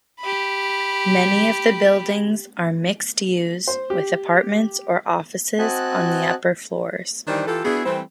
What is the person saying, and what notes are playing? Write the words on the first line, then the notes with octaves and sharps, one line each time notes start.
Many of the buildings are mixed-use, with apartments or offices on the upper floors.
G4 B5
C5
G4
C4 F#4 D#5 G#5 A5 F#6
D#3 E3 G3 D4 C5 D5
E3 F4 G4 A4
B3 D4 E4 F#4 G#4
E3 G3 A3 C4